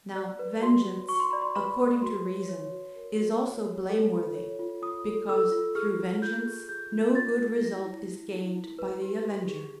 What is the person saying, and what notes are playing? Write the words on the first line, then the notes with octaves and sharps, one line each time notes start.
Now vengeance, according to reason, is also blameworthy, because through vengeance no good result is gained by the avenger.
D5 F#6
B4
F#4 C6
F#4
F#4 C#6
C6
D5 B5
C6
B4 B5
B4
F#4 C6
C#5
C#5
F#4
A#4
F#4
C#5
C#5
A4
F4
C#5
F4
F4 D#6
A4
A4 E6
F4
G#4 F6
F4
F4 G6
G#4
G#4 G6
F4
F4 A6
F4
E4 A#6
E4
E4
E4
E4
B4
G4
G4
G#4